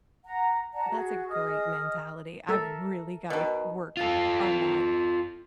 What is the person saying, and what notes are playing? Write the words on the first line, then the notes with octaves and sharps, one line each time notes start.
That's a great mentality, I've really gotta work on that.
F#5 A#5
D5 F#5 A5 A#5
F#4 G#4
G#4 D#5 D#6 F6
A4 A#4 E5
B2 D#3
F4 A4